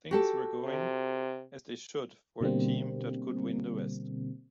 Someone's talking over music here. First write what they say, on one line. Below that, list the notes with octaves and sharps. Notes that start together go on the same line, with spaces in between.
Things were going as they should for a team that could win the west.
F#4 G4 A4
C3
B2 D3 G3 A#3 C4